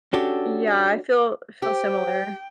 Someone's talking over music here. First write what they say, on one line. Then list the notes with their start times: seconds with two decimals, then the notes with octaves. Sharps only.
Yeah. I feel I feel similar.
0.13 C#4 D4 F#4 G4 A4
1.62 G4 C5 G5